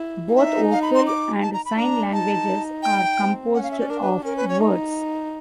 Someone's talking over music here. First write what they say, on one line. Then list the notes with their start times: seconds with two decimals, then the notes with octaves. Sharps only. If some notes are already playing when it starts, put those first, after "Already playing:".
Both vocal and sign languages are composed of words.
Already playing: E4
0.35 D#4 E5
0.71 F5
0.82 B5
0.94 C6
1.07 D6
1.42 A5
1.53 A#5
1.65 B5
1.76 D4 A#5
2.12 D#4 A5
2.83 G5
3.18 C4
3.54 C#4 F#5
3.63 F5
3.71 E5
3.80 D5
3.89 D4 A#4
4.01 B4
4.25 C#4 A#4
4.37 B4
4.49 C#5
4.60 D#4